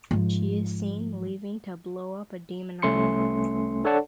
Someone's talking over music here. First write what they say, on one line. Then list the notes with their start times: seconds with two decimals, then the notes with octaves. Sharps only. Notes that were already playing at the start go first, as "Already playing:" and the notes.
She is seen leaving to blow up a demon army.
0.11 G#2 F3
2.82 C2 A3 C#4 C6 C#7
3.84 D4 A4 C#5 D5 F#5 A5